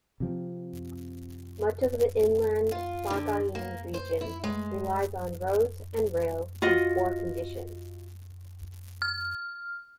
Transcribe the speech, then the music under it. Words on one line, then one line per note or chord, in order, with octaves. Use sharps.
Much of the inland Sagaing Region relies on roads and rail in poor condition.
C3 F3 C4
F4
D3
A#3
C5
E4
G#3
F4 F#4 D#5
F6